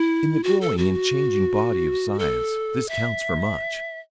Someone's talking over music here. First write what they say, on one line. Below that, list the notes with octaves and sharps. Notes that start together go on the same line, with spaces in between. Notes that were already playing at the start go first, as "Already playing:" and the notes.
In the growing and changing body of science this counts for much.
Already playing: E4
F#4
A4
F#4
A4
E5